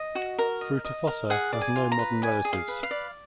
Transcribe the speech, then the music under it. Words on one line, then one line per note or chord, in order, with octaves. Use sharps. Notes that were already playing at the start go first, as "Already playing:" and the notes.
"Fruitafossor" has no modern relatives.
Already playing: D#5
F#4
A#4
D#5
D#5
A#4
G#4 F#5
D5
G#5
F4
A#5
B4
D5 G#5
G#4
F5
B4
F5
D5